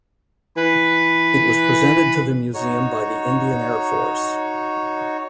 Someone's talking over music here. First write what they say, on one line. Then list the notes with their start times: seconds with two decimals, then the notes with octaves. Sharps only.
It was presented to the museum by the Indian Air Force.
0.57 E3 B4
2.54 D#4 F#4 C#5